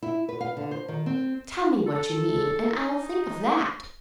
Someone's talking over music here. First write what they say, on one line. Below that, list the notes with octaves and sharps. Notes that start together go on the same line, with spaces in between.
"Tell me what you mean, and I'll think of that."
E4
B4
F5
D3
C5
D#3
C4
A4
D#4